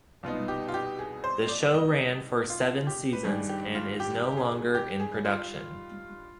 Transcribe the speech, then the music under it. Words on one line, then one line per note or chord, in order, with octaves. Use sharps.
The show ran for seven seasons and is no longer in production.
C2 B2 B3 D#4 F4
G4
F4
G4
G#4
C5
D5
D#5
F4
G4
B4
G2 D#3 G3 D4 G#4
G4
F4
G4
G#4
G4
G#4
F4